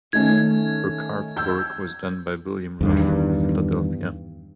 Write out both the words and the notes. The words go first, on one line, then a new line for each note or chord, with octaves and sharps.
Her carved work was done by William Rush of Philadelphia.
D#3 A3 C#4 G#6
E6 G6
E2 G2 D#3